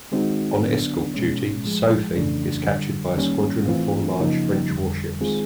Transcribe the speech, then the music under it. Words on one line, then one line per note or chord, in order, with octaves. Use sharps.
On escort duty, "Sophie" is captured by a squadron of four large French warships.
D#3 G#3 C4 D#4 F#4
D3 F#3 B3 D4
B2 G#3 C#4
A2 F3 G#3
F2 C#3 E3 A3 D4
F#2 D3 G3
D#3 G3 A#3 C#4
A2 E3 A3 C4 F4
F#2 C#3 F3 A#3 D#4
F2 D3 G3
D#3 G#3 C4 F4 G#4